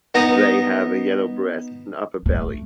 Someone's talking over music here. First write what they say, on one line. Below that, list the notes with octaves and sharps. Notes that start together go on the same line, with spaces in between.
They have a yellow breast and upper belly.
B3 D#4 A#5
A3